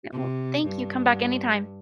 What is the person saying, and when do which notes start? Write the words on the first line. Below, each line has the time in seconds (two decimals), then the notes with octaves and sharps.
Yep. Well, thank you. Come back anytime.
0.12 C3
0.65 G2